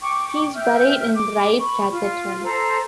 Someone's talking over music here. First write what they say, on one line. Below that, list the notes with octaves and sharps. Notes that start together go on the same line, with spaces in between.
He is buried in Ribe Cathedral.
G5 C#6 D6
E5 G5 F6 G6
D6
B5 C#6
F4
A4 C5 A#5